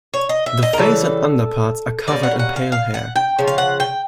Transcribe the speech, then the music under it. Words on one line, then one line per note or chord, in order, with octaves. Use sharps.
The face and underparts are covered in pale hair.
C#5
D#5
E5
D#5
A#4
C#3 E3 G3 A4
B2 G3 A#3 C#4 D5
F#5
F#5
F5
F5
F#5
G5
C#3 F3
F5
F#5
G5